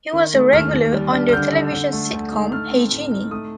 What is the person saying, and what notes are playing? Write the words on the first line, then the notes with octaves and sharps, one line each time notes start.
He was a regular on the television sitcom Hey, Jeannie!
D#3
A3
D#2 F6
D#2
G3
D4
F6
D3 G6
D3
D3
A3
D2
D#4
A3 F6
C4
A2
D#4
A3 D#6